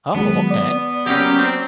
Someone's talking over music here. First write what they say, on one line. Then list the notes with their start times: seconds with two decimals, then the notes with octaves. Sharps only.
Oh, okay.
0.15 D#3 F#3 G#3 B3
0.50 D5
1.06 F#3 A#3 C#4 G4
1.37 C4